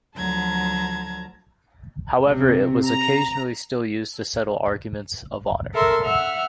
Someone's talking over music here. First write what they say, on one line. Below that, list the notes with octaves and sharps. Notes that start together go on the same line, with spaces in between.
However, it was occasionally still used to settle arguments "of honor".
D2 F3 F#3 A5 A#5 G#6
C3
A#5
A4 A#4 E5 C6
E5 F#5 F6